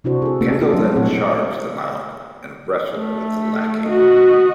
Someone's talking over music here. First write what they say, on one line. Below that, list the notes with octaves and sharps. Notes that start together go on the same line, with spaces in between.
Kendall then charged the mound and wrestled with the Lackey.
C3 D4 E4 F#4 C5
G#4 A4
A3 A#3 C4 D4 G#4 A#4
A3 B3 C4 D4 F4 A4
F#3 D4 D#5
A#2 C4 E4 G#4 C#5 F#5
A3
F#4 D#5